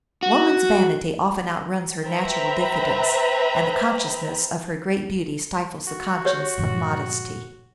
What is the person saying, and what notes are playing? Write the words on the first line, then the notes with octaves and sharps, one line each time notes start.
Woman's vanity often outruns her natural diffidence, and the consciousness of her great beauty stifles the conscience of modesty.
F#4
B4 C5 E5 G5 A#5 B5
F#4
G4 C#5
G2 A#2 D3 F3 G#3